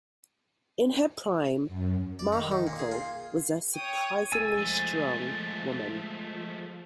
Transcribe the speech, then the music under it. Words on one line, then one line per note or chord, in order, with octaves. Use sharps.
In her prime, Ma Hunkel was a surprisingly strong woman.
F#2
D5
D#3
D#3
A#2
G#4
F4
C#5 G5 D#6
C2 G#5 E6 A6
F3 G#3 A3